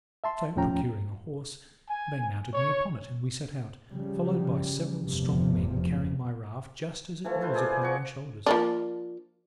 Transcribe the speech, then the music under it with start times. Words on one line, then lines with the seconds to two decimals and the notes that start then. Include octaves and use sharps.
So, procuring a horse, they mounted me upon it, and we set out, followed by several strong men carrying my raft just as it was upon their shoulders.
0.24 E5 A5 C6
0.56 D#2 A2 F3 C#4 G5 A#5
1.90 G#5
2.54 C#5
3.90 C#3 F3 G3
5.02 F1 E2 G2 C3 F3
7.25 E3 F3 A3
7.41 E4 F4 B4 C5
7.55 G#4 D5
7.81 F3 F#4 C#6
8.46 F3 A#3 D4